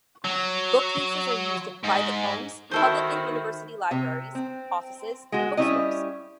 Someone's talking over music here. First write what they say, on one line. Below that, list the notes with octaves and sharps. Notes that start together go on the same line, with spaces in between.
Bookcases are used in private homes, public and university libraries, offices and bookstores.
F#3
G#2
D#3 E4 F#4 A4 C5
C3
C4
G#3 F#4
G3 C#4 E4 D#5